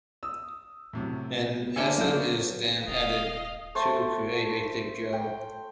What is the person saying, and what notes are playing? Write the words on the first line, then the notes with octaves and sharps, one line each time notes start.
An acid is then added to create a thick gel.
D#6 E6
A2 C3 F#3
D3 A#3 D4 G#5 E6 C#7 E7 G7
C#3 F#3 G6
B3 C#4 A#4
D#1 D#5 F5
A3 C5 A5
G5